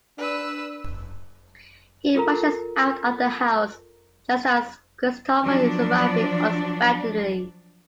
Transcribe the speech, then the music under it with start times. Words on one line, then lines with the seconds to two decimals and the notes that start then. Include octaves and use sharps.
He rushes out of the house, just as Christopher is arriving unexpectedly.
0.18 D4 B4 E6
2.15 F4 A4 A#4 A#5
5.41 F3 F#3 D4 D5